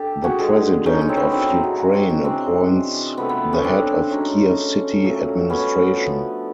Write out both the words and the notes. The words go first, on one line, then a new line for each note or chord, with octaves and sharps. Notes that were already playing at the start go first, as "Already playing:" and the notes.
The President of Ukraine appoints the Head of Kiev City Administration.
Already playing: D3 G4 A4
F#4 G#4
D3 F3 G#3
C#4 D#4
C#4 D#4
C4
B3 C#4
A2 F#3 A3 C4 D4
C#4 D#4
F#4 G#4
F#4 G#4
C4 D4
C#4 D#4
C3 E3 G#3 C4 D4
C3 F3 A3 B3
B3
B3 C#4
C4 D4
C#3 F#3 A3 C#4 D#4
A#2 F#3 A3
B3 C#4
D3 F3 A3